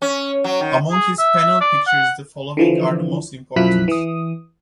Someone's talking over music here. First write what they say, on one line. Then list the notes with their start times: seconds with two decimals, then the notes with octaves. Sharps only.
Among his panel pictures the following are the most important.
0.02 C#4
0.44 F#3
0.61 D#3
0.91 G#4
1.19 E5
1.61 D5
1.87 F#5
2.57 D3 E3 F3
3.56 B1 F#2 F3 E4 F#6 B6
3.88 E3 D#6